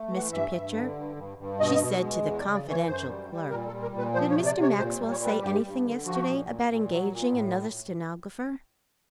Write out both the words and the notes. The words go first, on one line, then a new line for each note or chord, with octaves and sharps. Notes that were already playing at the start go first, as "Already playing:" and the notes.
"Mr. Pitcher," she said to the confidential clerk, "did Mr. Maxwell say anything yesterday about engaging another stenographer?"
Already playing: A3
E3
F#5
G2 E5
G2
D3
G2
G2
G2
B2 D#5
B2
G#3
E2
D5
C#3
D5
E3
C#5
F#2 C5
G3
G3
A#2 A#4
A4
G3
A#4
A#2
B4
F3 C5
C#5
C3
D5
C3
C#5
A#2 C5
G3
C#5
G3
B4
G2 G4
G2
D3
F3 F#4
A#2
A#2
A#2
F#3
A#2
A2